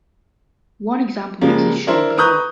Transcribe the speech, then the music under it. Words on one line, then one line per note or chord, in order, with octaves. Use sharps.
One example mix is shown below.
C#3 F3 G3 G#3 A#3
D4 E4 A#4 C5
B4 A#5 C#6 D#6 F#6 G6